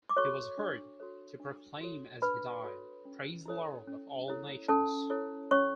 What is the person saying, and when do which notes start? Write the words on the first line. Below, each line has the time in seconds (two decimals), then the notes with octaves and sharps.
He was heard to proclaim as he died, Praise the Lord of all nations!
0.09 D6
0.17 F#4 A4 C#5 C#6
0.58 D4
1.00 F#4 A4 C#5
1.40 D4
1.81 F#4 A4 C#5
2.22 D4 B4 B5
2.63 F#4 A4 C#5
3.05 C#4
3.46 E4 A4 C#5
3.87 C#4
4.28 E4 A4 C#5
4.68 C#4 A4 A5
5.10 E4 A4 C#5
5.51 C#4 C#5 C#6